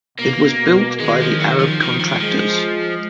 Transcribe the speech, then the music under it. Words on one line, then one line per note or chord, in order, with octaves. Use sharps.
It was built by the Arab Contractors.
B2 A#3
B2
D#3 G#3
F3
F#3
F3
D#3 F3
D#3
F3 G#3